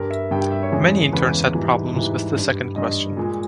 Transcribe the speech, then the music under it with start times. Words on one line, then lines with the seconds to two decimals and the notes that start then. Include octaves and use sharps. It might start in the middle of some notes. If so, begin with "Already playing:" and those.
Many interns had problems with the second question.
Already playing: G2 G3 A#4
0.10 E5
0.31 G2 G3 G5
0.41 G5
0.52 E5
0.63 C#5
0.72 E2 C#3 E3 G#3
1.13 E2 C#3 E3 G#3 B4
1.54 G#2 E3 G3
1.94 G#2 E3 G3
2.35 G2 G3
2.76 G2 G3 D#5
3.17 A#2 G#3